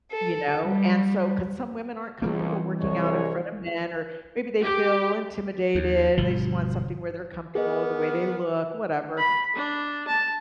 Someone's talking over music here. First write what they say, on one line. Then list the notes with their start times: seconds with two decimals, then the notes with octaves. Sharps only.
you know? And so 'cause some women aren't comfortable working out in front of men or maybe they feel intimidated, they just want something where they're comfortable, the way they look, whatever.
0.10 A4
0.65 G3
2.22 C#2 E3 G3 C4
2.80 C2 G#3 C#5
4.62 G4
5.75 D#2
6.17 G1 B2 F3
7.55 B3 G#4 A#4 D#5
9.18 B5
9.55 D4
10.07 A5